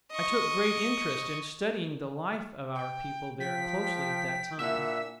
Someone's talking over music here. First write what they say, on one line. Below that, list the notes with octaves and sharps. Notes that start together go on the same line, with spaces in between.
I took great interest in studying the life of our people there closely at that time.
D#5 C#6
G5
F3 G5 B6
A#2 D4 E4 E5 F#5 E6